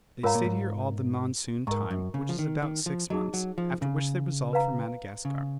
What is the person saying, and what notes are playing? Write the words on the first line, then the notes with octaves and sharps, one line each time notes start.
They stayed here all the monsoon time, which is about six months; after which they resolved for Madagascar.
G#2 F4 A#4 C#5 F5 A#5
A#2
G#2
G#2 A#4 D#5 A#5 C#6
F#2
C#3
F3
D#3
D#3
F3
F#3 D#4 G#4 D#5
F#3
F3
C#3
B4 F5 A#5
C#3